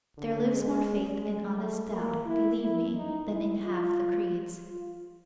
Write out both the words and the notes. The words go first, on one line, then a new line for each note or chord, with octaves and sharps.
There lives more faith in honest doubt, Believe me, than in half the creeds.
D3
G#3
G#3
A3
A#3
E4
E4
D#4
E4
F4
F4